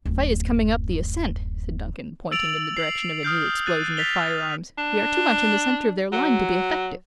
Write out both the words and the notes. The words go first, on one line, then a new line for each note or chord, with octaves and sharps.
"The fight is coming up the ascent," said Duncan, pointing in the direction of a new explosion of firearms; "we are too much in the center of their line to be effective."
D1 F#2
E6 A6 D7 F7 F#7
C7 F#7
D#6 F6 G6 C7
F#6 A6 D#7
A6 B6 F7 G7
D4
F#3